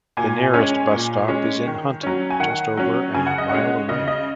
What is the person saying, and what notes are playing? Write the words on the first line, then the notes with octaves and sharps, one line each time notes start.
The nearest bus stop is in Hunton, just over a mile away.
A#2 G#5
G#3 C#4 G#5
A#2
G#3 C#4
D#3
F#3 C#4
G#5
D#3 F#5
F#3 C#4
C#3 G#5
F#5
D#5
G#3 C#4 F#5
C#3 D#5
D#5